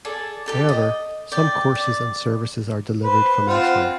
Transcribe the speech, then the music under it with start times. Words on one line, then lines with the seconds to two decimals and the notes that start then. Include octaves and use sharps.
However, some courses and services are delivered from elsewhere.
0.05 G#4 A4 D5
0.46 G4 A4 D5
0.69 D#5
1.32 D5 G5
1.75 D5
3.04 B4 C5
3.47 C4 F4 F#5